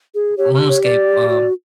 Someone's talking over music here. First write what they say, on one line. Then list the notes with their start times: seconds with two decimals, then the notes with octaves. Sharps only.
RuneScape, um
0.15 G#4
0.37 G4 C#5
0.68 C#5
0.83 D5
1.29 F#4